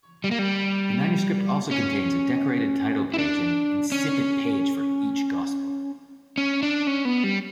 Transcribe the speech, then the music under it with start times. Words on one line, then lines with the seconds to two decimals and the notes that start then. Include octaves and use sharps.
The manuscript also contains a decorated title page and incipit page for each gospel.
0.24 G3
0.31 A#3
0.39 G3
1.71 C#4
3.14 E4
3.18 D4
3.92 C#4
6.38 C#4
6.63 D4
6.87 C#4
7.05 B3
7.24 G3